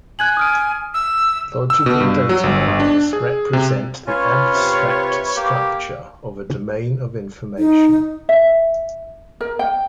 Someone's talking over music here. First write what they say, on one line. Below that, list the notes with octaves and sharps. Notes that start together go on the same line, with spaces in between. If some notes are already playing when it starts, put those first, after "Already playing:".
Logical data models represent the abstract structure of a domain of information.
G#5 F#6 G#6 F#7
D#6 F6 D7
E6
E6
B2
G2
F#3
G1
G1
D4
G#4
C3
C#4 F4 B4 C#5
C3
A#3 G4
D#4
E5
A#4
G5